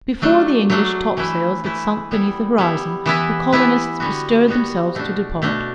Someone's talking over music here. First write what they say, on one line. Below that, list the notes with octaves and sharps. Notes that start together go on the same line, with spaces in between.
Before the English top-sails had sunk beneath the horizon, the colonists bestirred themselves to depart.
F#3 A3 D4
F#3 A3 D4
E3 A3 E4 B4
E3 A3 E4 B4
G3 B3 E4
G3 B3 E4
E3 B3 E4 B4
E3 B3 E4 B4
D3 G3 B3 F#4
D3 G3 B3 F#4
B2 A3 D4
B2 A3 D4